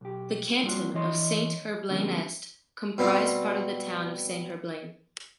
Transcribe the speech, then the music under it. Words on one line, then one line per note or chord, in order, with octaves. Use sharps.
The canton of Saint-Herblain-Est comprised part of the town of Saint-Herblain.
B1 G4
G3 A#3 C4 D#4 F4 F#4
E3 E4 C#5 D#5 C6
D3 F3 G3 A#3 C4 C#4
B2 G3 C4 F4